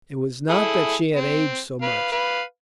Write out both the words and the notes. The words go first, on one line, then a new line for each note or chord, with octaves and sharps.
It was not that she had aged so much.
E4 G#4 A4
C4
B4 F5
B4 F5